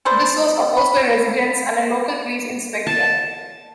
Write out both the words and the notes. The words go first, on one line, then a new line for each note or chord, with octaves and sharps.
This was opposed by residents and a local police inspector.
A4 B4 C5 D5
B5
A5